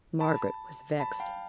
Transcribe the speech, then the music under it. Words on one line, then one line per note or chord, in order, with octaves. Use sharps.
Margaret was vexed.
A5 B5
A5 B5
F5 G5